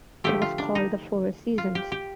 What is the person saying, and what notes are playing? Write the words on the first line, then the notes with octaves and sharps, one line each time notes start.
It was called the Four Seasons.
D3 F3 A3 G4
F4
D4
D#4
F4
G4
G4